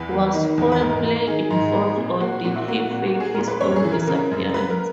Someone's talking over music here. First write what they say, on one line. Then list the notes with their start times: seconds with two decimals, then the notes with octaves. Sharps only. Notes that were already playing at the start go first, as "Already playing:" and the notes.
Was foul play involved, or did he fake his own disappearance?
Already playing: E2 B4
0.11 A#3
0.34 D#3
0.58 E2
0.72 B4
0.81 G#2 A#4
1.04 A#3
1.27 D#3 G#4
1.50 G#2
1.74 A#3
1.98 A#2
2.21 A#3 F#4
2.32 F#4
2.44 A#2 F#4
2.56 E4
2.68 A#3 F#4
2.91 A#2
3.07 F#4
3.15 A#3
3.20 G#4
3.35 A#2 A#4
3.48 B4
3.61 F#2 C#5
3.72 A#4
3.76 G#4
3.84 E3
3.92 A#4
4.07 C#3 A#4
4.32 F#2
4.54 A#3 B4
4.70 A#4